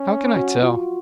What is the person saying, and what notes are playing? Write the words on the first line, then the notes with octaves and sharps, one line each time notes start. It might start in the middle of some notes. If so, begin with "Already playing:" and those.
How can I tell?
Already playing: C#4
F#4
F4